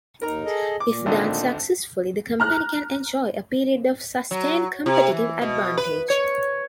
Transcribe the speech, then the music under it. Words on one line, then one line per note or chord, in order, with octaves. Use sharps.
If done successfully, the company can enjoy a period of sustained competitive advantage.
D#2 D#4 A#4 A#5
G#4 A4 D#5
A#2 D6
G#1 D3 D#4
A#5 F6 F#6
F#3
C3
E3
B2
B4
C#5